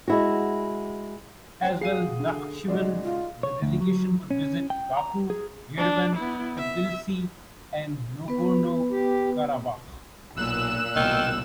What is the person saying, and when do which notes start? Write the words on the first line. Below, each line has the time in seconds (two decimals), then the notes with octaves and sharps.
As well as Nakhchivan, the delegation would visit Baku, Yerevan, Tbilisi, and Nagorno Karabakh.
0.08 G#3 E4 F#4
1.63 D2 C5 G5 A5
1.81 F#4 G#4 F5 C7 D#7
2.19 D3
2.68 A#2 C#3 G#3 D#4 F#4 D5
3.04 F4
3.43 C#5
3.62 D2
3.81 F#3
4.31 C#4
4.70 G5
4.97 A#5
5.30 G#4
5.78 D4
6.16 B3 E4
6.58 E5
8.28 B3 B4
8.91 G4
10.36 B1 A#2 E6 F#6 E7
10.96 C2 B2 D#3